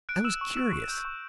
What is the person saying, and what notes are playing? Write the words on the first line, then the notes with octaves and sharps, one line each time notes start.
I was curious.
F#6 D7
E6 E7
C#6
E6
C#6
G6
C#6